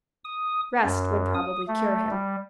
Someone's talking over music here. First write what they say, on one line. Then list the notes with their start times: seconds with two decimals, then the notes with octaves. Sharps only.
Rest would probably cure him.
0.24 D#6
0.84 F#2
1.34 D#6
1.68 A3
2.10 G3